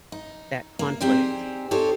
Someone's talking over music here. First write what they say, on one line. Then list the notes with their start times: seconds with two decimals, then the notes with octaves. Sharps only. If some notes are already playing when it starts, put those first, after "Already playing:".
that conflict.
0.12 D#4
0.79 A#3
1.01 C4 D#4 G4 G#4 C5 D5
1.71 D#4 G4 A4 C5 C#5